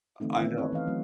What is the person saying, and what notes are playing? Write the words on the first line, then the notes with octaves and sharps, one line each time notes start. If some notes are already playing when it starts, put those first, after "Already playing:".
I know.
D3 E3 A3 C4 D#4
D#3 B3 C#4 E5
C4 E4 A4 B4 C#5
E3 C4 D#5 F5
F#3 A3 C4